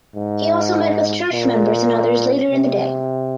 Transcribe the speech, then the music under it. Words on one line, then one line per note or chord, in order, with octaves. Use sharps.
He also met with church members and others later in the day.
G#2
A#2
C3